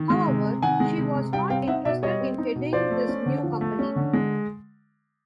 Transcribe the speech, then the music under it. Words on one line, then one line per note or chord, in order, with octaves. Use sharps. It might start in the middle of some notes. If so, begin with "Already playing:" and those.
However, she was not interested in heading this new company.
Already playing: D#3
G#3
C3
C3
D#3 F#5 G#5
G#3
C3
C3
G3 F5 G5
C4 F5 G5
D#4 E5 F#5
B2 D5 E5
G3 C#5 D#5
C4
D#4
B2
F3 C5 D5
A3
C#4
D3
F3
A3
C#4
D3
G#3